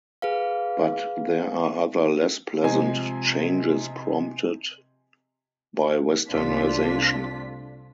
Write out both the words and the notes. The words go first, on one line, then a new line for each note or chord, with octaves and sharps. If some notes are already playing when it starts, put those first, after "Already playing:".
But there are other less pleasant changes prompted by westernization.
G#4 B4 F5
C3 F3 G#3 G#5
C2 A3 C4 D4 F4 B6